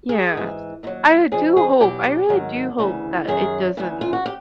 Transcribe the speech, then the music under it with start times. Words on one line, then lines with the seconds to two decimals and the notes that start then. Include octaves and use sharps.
Uh, yes, I do hope, I really do hope that it doesn't.
0.09 G#4
0.34 G#2 E3
0.83 D#2 D#3
0.87 F#3
1.32 F2 C#3 F3 G#4
1.57 G#4
1.80 E2 B2 F#3 G4
2.29 G#2 D#3 F#3
2.78 D2 C#3 E3
3.28 F#2 D#3 F#3 G#4
3.77 D2 C#3 E3
4.01 F4
4.13 F#4
4.26 G4